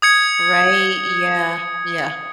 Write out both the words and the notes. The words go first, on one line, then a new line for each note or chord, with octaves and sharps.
Right, yeah, yeah.
D#6 G#6 C#7